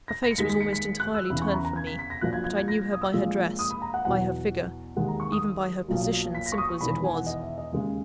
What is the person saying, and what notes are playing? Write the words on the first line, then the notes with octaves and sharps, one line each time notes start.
Her face was almost entirely turned from me; but I knew her by her dress, by her figure--even by her position, simple as it was.
A#6
A#6
C#7
D#2 D#3 G#3 B6
B6
C#7
B6
F#6
E6
E2 C#3 E3 B5
C#6
B5
A#5
A#5
G#6
B6
B6
A#6
A#1 A#2 F#3 F#6
G#6
G#6
G#6
A#6
D#6
E6
A#1 A#2 G#3
D#6
B5
A#5
F#5
E2 B2 F#3 F#5
D#2 D#3 G#3 F#5
A#5
C#6
D#6
B1 A#2 F#3
B6
A#6
C#6
D#6
C#6
E1 E2 D#3 B5
G#5
F#5
D#5
E5
D#5
D#2 C#3 G#3